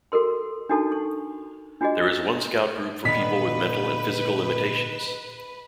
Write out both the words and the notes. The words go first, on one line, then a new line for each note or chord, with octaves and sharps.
There is one Scout group for people with mental and physical limitations.
F#4 A4 A#4 C6
D4 D#4 F#4 A4 A5
C#6
D4 F4 F#4 G#4 D#5
A#2 D3 D#3 B4 D#5 B5 B6